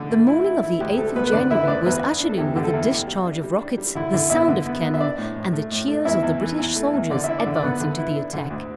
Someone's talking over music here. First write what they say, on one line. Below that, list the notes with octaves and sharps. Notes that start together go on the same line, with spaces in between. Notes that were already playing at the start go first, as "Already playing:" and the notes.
The morning of the eighth of January, was ushered in with the discharge of rockets, the sound of cannon, and the cheers of the British soldiers advancing to the attack.
Already playing: D3 A3
A3
E4
E4
E4
D2 G4
G3 A3 A4
D2 B3 B4
B4
D3 D4 D5
D3 E4 E5
B4
D2 D4 D5
E2 B3 B4
D4
D4
A4
E2 G4
D3 G4
A3 A4
E2
E4
G3 G4
G3
D4
G3
D4
G3
D3 E4
D3 E4
B3 E4 E5
D3
B3
B3
E5
D4 D5
A2
A2
A3
A2
A3
E2 E4 E5
E2
E3
E2
A3
E2
D3 D5
E4 E5
D4 D5
D3
D5
D3 B3 B4
D3
E4
D4
D3
D2